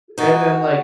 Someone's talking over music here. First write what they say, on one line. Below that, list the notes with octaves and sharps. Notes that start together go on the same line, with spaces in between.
and then, like
D#4 F#4